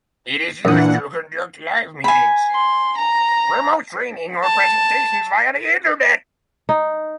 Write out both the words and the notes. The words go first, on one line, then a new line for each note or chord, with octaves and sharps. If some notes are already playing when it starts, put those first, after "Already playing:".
It is used to conduct live meetings, remote training, or presentations via the Internet.
F#2 A#2 E3 D4 F#5 D#6
G#5 B5
C6
A#5
A5
D#4